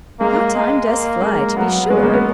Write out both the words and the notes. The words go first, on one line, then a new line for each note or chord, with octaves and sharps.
How time does fly, to be sure!
G#3 A#3
G#3
A#3
G#3 A#3
F#3 B3
G#3 C#4
B3
A#3
B3